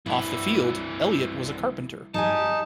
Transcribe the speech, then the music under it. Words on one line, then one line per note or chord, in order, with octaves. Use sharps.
Off the field, Elliott was a carpenter.
C2 E3 E4
G3 D#4 G4 G#5 A5